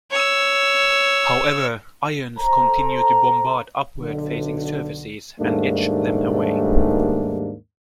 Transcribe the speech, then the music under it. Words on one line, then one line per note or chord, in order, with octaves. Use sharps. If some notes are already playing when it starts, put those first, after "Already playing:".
However, ions continue to bombard upward-facing surfaces and etch them away.
C#5 E6
A4 C5 A#5
B1 D3
D#2 G#2 G3 A3 A#3 D4